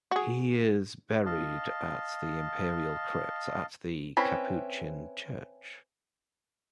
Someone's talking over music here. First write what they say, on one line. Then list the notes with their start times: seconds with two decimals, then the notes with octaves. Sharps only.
He is buried at the Imperial Crypt at the Capuchin Church.
0.11 F#4 G#4
1.26 D#5 F5 A5
4.17 C4 C#4 E4 B4